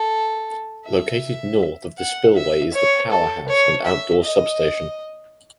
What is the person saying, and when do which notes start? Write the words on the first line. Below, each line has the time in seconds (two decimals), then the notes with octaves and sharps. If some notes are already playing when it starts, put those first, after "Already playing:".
Located North of the spillway is the powerhouse and outdoor substation.
Already playing: A4
0.86 E5
1.98 F#5
2.36 E5
2.73 C#5
3.10 A4
3.48 C#5
3.85 E5
4.23 D#5